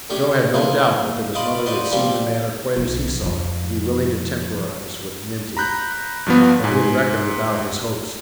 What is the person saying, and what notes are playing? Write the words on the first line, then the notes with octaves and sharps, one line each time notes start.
Joe had no doubt but that his mother would see the matter quite as he saw it, and be willing to temporise with Minty; but he had reckoned without his host.
A2 C#4 D4 G4
F3 A#3 B3 E4 F4
D5 D#5 F5 B5 C6 D6
F#4 B4 C5 D5 D#5
F3 G3 A#3 F4 G4 A4
B1 F3
F2 F3
A#5 B5 F#6 G6
G2 F3 B3
G#2 G#5